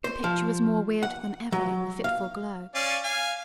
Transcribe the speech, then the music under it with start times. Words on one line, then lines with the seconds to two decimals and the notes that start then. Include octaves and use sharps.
The picture was more weird than ever in the fitful glow.
0.04 C5
0.24 F3
1.03 F#5
1.52 F#3
2.04 F5
2.75 C#4 D5 F5
3.04 F5 G#5